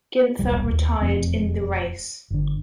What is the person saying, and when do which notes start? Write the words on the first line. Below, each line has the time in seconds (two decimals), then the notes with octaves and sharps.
Ginther retired in the race.
0.39 D#1 B1 G3
0.72 D#2
1.01 E1 F2 A3 C4
2.31 G1 D3